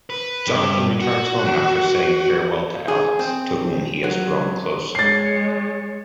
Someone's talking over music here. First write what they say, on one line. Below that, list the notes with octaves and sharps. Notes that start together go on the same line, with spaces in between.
Jonathan returns home after saying farewell to Alex, to whom he has grown close.
B4
G2
F#4
G#4
C4
F#3
G#3 C#5 A6 C7